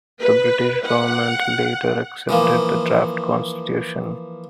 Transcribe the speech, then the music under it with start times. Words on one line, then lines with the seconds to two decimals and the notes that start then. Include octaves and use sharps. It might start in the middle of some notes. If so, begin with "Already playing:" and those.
The British Government later accepted the draft constitution.
0.20 B4
0.85 F#5
2.29 E3 F3 A#3